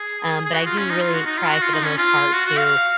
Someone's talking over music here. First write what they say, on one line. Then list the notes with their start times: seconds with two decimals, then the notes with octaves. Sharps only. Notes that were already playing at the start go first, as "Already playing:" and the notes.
Um, but I do really try for the most part to,
Already playing: G#4
0.45 G#4
0.54 F#4
0.66 F4
0.78 C#4
0.90 D#4
1.02 F4
1.14 F#4
1.26 D#4
1.38 F4
1.50 F#4
1.62 F4
1.74 D#4
1.86 C#4
1.98 F4
2.34 F#4
2.46 F#4
2.58 F5